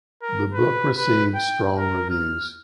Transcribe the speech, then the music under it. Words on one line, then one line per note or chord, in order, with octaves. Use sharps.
The book received strong reviews.
A#4
B4
B4
G5
A#4
F6